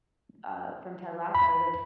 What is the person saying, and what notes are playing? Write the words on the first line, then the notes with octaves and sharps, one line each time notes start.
uh, from Ted Lasso, like,
B5